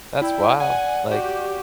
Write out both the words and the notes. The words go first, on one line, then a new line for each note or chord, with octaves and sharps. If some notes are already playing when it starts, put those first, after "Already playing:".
That's wild, like,
E4 D5 G5
F#5 G#5
F#4 G4